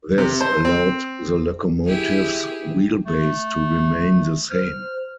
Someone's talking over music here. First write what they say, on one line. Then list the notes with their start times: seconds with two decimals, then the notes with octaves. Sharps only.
This allowed the locomotive's wheelbase to remain the same.
0.18 C3
0.41 C5
0.65 C4
1.87 E4 G4 G#4
3.06 A3
4.51 C5 F6